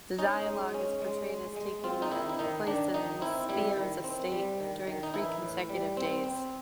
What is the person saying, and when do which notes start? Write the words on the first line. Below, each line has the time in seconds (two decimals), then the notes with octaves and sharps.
The dialogue is portrayed as taking place in Scipio's estate, during three consecutive days.
0.19 C#4 D#4
0.47 G#3
0.74 C#4
1.02 G#3
1.29 G#3
1.56 G#3
1.84 C4 F4
2.02 D#4
2.11 D#3 E4
2.29 E4
2.39 D#3 D#4
2.67 D#3 D4
2.94 D#3 D#4
3.21 C4 E4
3.49 G3 E4
3.77 D#3
4.04 C4
4.32 G3
4.60 D#3
4.87 D#3
5.03 D#4
5.14 E3 E4
5.42 A2
5.69 G3
5.97 C4
6.24 C4